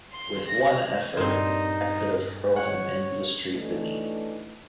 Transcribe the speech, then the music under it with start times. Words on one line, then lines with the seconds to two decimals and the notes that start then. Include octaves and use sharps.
With one effort, I could have hurled him into the street beneath.
0.12 C6
0.48 A#6
1.17 G2 A#2 C4 D#4 C5 C6
2.56 C#5 F#5
3.52 E3 F#3 A3 D4 D#4